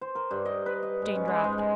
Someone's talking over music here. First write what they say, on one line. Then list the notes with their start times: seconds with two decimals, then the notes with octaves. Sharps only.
Jane dropped.
0.01 C5
0.15 A#4
0.31 G2
0.45 D#5
0.66 B4
0.83 D#5
1.02 G#2
1.15 C#4
1.28 G#3
1.44 G#2
1.58 G#3